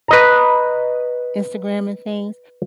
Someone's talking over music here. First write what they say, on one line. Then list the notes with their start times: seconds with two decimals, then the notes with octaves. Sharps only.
Instagram, and things,
0.08 B4 D#5 A#5